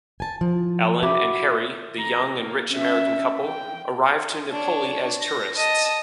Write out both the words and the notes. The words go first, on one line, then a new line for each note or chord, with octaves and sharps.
Ellen and Harry the young and rich American couple arrive to Napoli as tourists.
G#5 A5
F3
F#4 E5 B5 D6
A#5
A#3
C#4 E5
G5
D4 C#5
A#6
D#5 A5